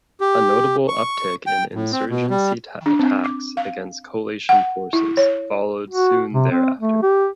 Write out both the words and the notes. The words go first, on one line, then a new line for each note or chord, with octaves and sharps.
A notable uptick in "insurgency" attacks against coalition forces followed soon thereafter.
G4
C#6
G5
A2
C4
B2
G3
D4
C4
D6
F5
F#5
E4
C#5
F#4
C3
C4
A3
G4